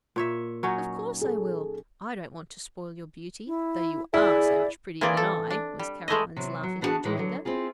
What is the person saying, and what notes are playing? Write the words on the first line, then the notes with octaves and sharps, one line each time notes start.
"Of course I will; I don't want to spoil your beauty, though you are so much prettier than I," was Caroline's laughing rejoinder.
A#2 C#5 E5
F#3 C#4 D#4
G#4 A4
E4
E4 G#4 D5
E3 A#3 C4 G#4 D5
A4
D4
G3
G#3 A3 E4 D#5
C3 E3 F#3
F#3
B3 D4 E4 F#4 G#4 A5
A2 D#3 E3 G#3
D3 F#3
C4 E4 F4 G#4